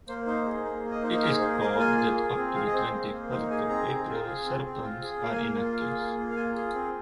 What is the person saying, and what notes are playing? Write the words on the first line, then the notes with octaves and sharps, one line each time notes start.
It is thought that up to the twenty-third of April, serpents are innocuous.
A#3 C5
D#4 C5
G#4
A#3
A#3
D#5
D#4 C5
C5
G#4 A#4
A#3 C5
A#3 D#5
F4 G#5
G#4
G#4
C4
G#4 F5
D#5
C4 C5
A#3
A#3
D#4 C5
G#4 G#5
C4 A#5
C4
F4
G#4
C4
C4
F4
G#4
A#3 F5
G#5
A#3 F5
F4
G#4
A#3
A#3
F5
F4 G#5
G#4
C4